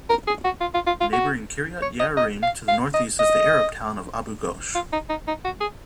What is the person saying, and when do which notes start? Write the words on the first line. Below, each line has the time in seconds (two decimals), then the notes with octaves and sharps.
Neighboring Kiryat Ye'arim to the northeast is the Arab town of Abu Ghosh.
0.09 A#4
0.27 G#4
0.45 F#4
0.61 F4
0.74 F4
0.86 F4
1.01 F4
1.13 F#4
1.82 C#5
2.00 D#5
2.17 D#5
2.42 F5
2.68 F5
2.94 D#5
3.19 D#5
4.75 F4
4.92 D#4
5.09 D#4
5.27 D#4
5.45 F#4
5.61 G#4